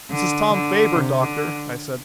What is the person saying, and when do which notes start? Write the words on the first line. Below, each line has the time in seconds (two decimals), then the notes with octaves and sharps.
"This is Tom Faber, Doctor," I said.
0.11 D3
0.53 D3
0.96 C3
1.23 D3